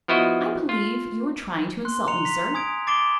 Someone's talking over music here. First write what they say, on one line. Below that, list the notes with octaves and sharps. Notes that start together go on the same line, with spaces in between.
"I believe you are trying to insult me, sir."
F3 B3 E4 F#4 D#5
F4
C6 F#6
A#5 C6 C#7 F7
B6
G#5 D#6 G#6 D7
D6 A6 C7 D7 E7 G7